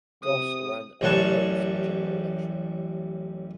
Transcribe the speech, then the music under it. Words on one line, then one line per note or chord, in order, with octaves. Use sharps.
Goss ran unopposed in the general election.
C3 D#6
A1 F#2 G3 C#5 F#5 A5